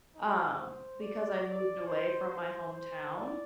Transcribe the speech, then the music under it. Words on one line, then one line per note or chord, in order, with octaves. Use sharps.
um, because I moved away from my hometown,
D#4
C5
D5
D5
C5
C5
C5
D5